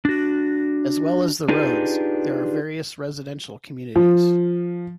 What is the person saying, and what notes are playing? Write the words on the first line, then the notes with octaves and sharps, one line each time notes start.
As well as the roads there are various residential communities.
D4 F#4
D4 D#4 F4 G4 G#4 B4
F3